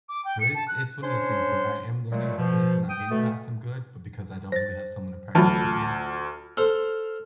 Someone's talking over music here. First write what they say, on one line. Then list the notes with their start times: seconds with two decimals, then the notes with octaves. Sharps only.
No, it's it's one of those things where I am learning, and I feel like when I'm in class, I'm good, but because I don't really have someone to practice with yet,
0.09 D6
0.25 G5
0.40 C#7
0.55 A5
0.68 F#6
1.02 C#4 D4 C5 C#5 C6
2.12 A#2 F#3 G#3 A3
2.37 B2 F3
2.89 G5 D#6
3.10 B2 A3 A4
4.52 C5 A6 A#6
5.35 D2 E3 F#3 F4 A5 F6 A6
6.57 A4 C5 F6